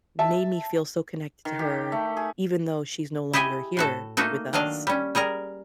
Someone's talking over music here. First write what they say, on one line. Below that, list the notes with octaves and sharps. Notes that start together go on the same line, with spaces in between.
made me feel so connected to her, even though she's no longer here with us.
E5 A5
D#3
G4
A3
G#4
E4 G4 G#4 D#5 G#5
A2 F#4 A4
A3 A#3 D#4 F#4 A4
D#3 F#3 D4 D#5 F5
G3 C#4
G3 G#4 A#4 A#5